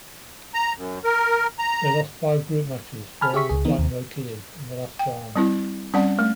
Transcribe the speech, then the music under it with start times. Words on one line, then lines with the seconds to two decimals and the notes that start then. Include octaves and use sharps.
They lost five group matches, drawing with Dynamo Kyiv in the last round.
0.54 A#5
0.77 F#2
1.04 A#4
1.59 A#5
3.21 G#5 A5 B5 F6
3.34 G4 G#4 E5 C#6 B6
3.49 C#2 G#4
3.65 E3 B3 D#4
3.79 D#2
4.99 G5
5.36 G3 C4 E4
5.94 G3 C4 C#4 D5 F#5
6.19 A3